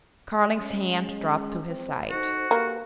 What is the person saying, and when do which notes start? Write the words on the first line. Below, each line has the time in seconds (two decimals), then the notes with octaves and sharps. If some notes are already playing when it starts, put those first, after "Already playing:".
Carling's hand dropped to his side.
0.58 G#3 C#4
1.67 C4
2.10 D#4 F#4 A4 C5
2.51 A#3 G4 A4 B4